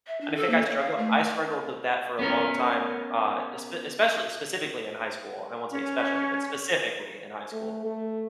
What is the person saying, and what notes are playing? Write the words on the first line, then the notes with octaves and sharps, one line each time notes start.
And I think I struggle I struggled with that for a long time, uh, espe especially specifically in high school. I won't say especially, but specifically in high school.
E5
D4
A4
A#3
C#5
F5
A3
B3 C#4 A#4
C#4
A3
A3